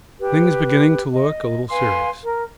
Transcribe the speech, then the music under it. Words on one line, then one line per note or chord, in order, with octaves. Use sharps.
Things beginning to look a little serious.
G4 B4
D#5
B4 F5 G#5 C6
A#4